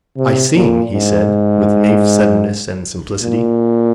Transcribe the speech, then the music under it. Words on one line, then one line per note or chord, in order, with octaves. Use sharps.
"I sing," he said, with naif suddenness and simplicity.
C3
A#2
G#2
A#2